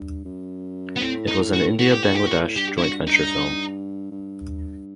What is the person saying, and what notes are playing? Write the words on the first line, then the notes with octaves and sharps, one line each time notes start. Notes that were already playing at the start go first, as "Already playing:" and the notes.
It was an India Bangladesh joint venture film.
Already playing: G2
F#2
B3
A2 C4
D#4
F#4
A2 F#4
G4
F#4
G4
F#4
G2 G4
E4
F#4
D#4
G2